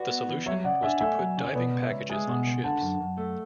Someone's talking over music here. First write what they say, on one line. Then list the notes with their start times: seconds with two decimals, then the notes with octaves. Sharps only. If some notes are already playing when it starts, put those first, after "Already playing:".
The solution was to put diving packages on ships.
Already playing: F#4 B4 D5
0.10 B3
0.29 E3
0.46 F#3 C#5 E5
0.64 C#3 D5 F#5
0.83 D4 E5 G#5
1.01 A3 E5 G#5
1.19 F#3
1.38 C#3
1.44 C#5
1.55 B2 B4 D5
1.73 C#2
1.82 C#5 E5
1.91 C#2
2.09 G#3 E5 G#5
2.28 B2
2.46 C#2
2.64 D3 F#5 A5
2.82 F#2
3.00 F#2
3.18 A3